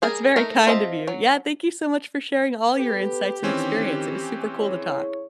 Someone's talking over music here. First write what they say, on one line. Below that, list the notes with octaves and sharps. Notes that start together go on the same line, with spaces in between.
that's very kind of you. Yeah, thank you so much for sharing all your insights and experience; it was super cool to talk.
G3 G#4 A#4
A3 D#4 A#4
C4 F4 D#5 E5 A5
F#3
B3 G4 A4 B4
D#3 E3 C4 C#4
E4 G#4 C#5